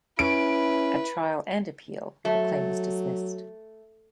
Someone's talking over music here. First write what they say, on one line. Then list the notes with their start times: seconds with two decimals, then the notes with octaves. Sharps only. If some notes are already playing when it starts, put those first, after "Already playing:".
At trial and appeal the claim was dismissed.
0.19 C#4 E4 B4 D7
2.25 F#3 A3